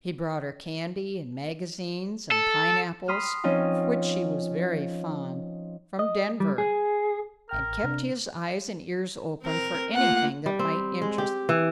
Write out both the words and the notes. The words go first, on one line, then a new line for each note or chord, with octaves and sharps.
He brought her candy and magazines and pineapples--of which she was very fond--from Denver, and kept his eyes and ears open for anything that might interest her.
A4
B5 C6 D#6 F6
F3 C4 C#4 D#4 F4
D#5
G3
G#4
A1 A#4 G5 F6
C3 D4
C4 A#4
A3 A#3 F4 F#5
G3
C4
G#3
G4
E3